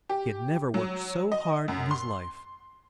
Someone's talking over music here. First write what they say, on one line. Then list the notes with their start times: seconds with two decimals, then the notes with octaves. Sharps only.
He had never worked so hard in his life.
0.09 G4
0.74 F#3
1.32 D#5
1.68 F#2
1.91 C6